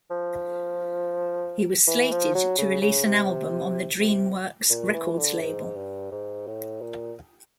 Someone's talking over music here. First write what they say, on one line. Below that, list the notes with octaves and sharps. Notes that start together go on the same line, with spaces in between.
He was slated to release an album on the DreamWorks Records label.
F3
E3
F3
F#3
C#3
C#3
C3
C3
A#2
E3
D3
G#2
G2
G#2
A2
A#2